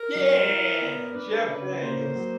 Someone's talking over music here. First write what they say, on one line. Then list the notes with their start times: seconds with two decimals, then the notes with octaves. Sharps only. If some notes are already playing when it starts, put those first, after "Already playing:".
Yeah! Jeff Daniels.
Already playing: A#4
0.15 F#3
0.49 E4
0.82 B3
1.15 D4 B4
1.48 C#3
1.81 A#3 C5
2.15 F#3